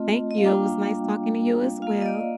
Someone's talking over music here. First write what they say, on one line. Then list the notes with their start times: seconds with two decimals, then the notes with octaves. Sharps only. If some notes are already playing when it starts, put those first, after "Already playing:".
Thank you, it was nice talking to you as well.
Already playing: A3 C4 F4 D#5
0.31 D#5
0.38 F5
0.44 G3 A#3 D4 F4 G5
1.82 A#3 F4 F5
2.01 D#5
2.06 D5